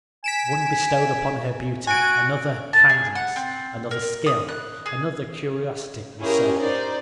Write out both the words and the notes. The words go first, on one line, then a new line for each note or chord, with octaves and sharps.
One bestowed upon her beauty, another, kindness, another, skill, another, curiosity, and so on.
G#5 B6 D7 E7
F#4 G#5 D7
A5
G#4
F#5
C4
A#4
D#6
F#6
G#4
C#4 E4 F4 G4 G#4 A#4
D#4 A#4 C5 D5